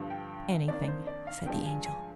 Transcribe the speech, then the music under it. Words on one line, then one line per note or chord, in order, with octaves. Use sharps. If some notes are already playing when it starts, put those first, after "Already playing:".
"Anything," said the Angel.
Already playing: G2 D3 F3
G5
F2 D#3 A#3 D4 D5
C5
D5
F5
G2 D3 F3 G#3 D4 G5
G#5
G#5